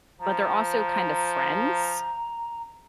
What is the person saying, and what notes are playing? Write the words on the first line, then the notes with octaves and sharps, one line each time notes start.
but they're also kind of friends,
F3 A#5